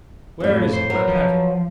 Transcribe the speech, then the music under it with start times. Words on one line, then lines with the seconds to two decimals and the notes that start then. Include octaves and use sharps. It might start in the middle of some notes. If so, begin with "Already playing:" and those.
"Where is it, my packet?"
0.40 F2 A2
0.73 C5
0.90 F#3 B3 A#4
1.08 F3